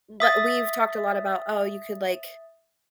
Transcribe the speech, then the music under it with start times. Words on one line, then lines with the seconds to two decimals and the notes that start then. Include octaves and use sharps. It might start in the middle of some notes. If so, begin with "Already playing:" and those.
w we've talked a lot about, "Oh, you could, like,
0.20 E5 D#6 A6